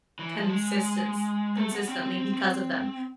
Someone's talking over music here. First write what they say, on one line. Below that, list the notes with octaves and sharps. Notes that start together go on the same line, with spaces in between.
consistence consistently because of them;
E3
F3
G#3
A3
B3
C4
C4
C4
C4